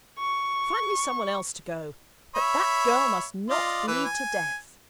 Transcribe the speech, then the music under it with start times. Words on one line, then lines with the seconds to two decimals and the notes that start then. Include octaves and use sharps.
'Find me some one else to go but that girl must not bleed to death.'
0.19 C#6
2.35 C#5 E5 B5
3.50 F4 D5 D#5
3.88 E3 B4
4.05 G#5